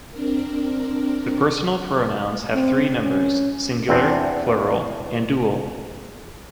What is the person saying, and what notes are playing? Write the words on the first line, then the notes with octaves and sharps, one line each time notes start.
The personal pronouns have three numbers: singular, plural and dual.
C4 D4 A#4
C4
C#4
E2 C4 D4